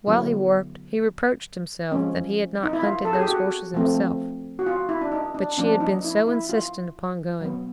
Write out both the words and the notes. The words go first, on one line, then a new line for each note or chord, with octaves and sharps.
While he worked he reproached himself that he had not hunted those horses himself; but she had been so insistent upon going.
D3 F#3 B3 E4
F3 G#3 C#4
D#4
E4
F4
A4
G#4
G4
F#4
F3 A3 C4
F#4
F4
E4
D4
D#4
D4
F3 A#3 C#4 D4
D#4
E4
E4
F4
F#3 B3